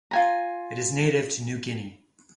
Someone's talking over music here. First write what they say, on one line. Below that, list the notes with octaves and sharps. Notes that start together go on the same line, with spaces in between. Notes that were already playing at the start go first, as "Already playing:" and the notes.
It is native to New Guinea.
F4 G#5 A#5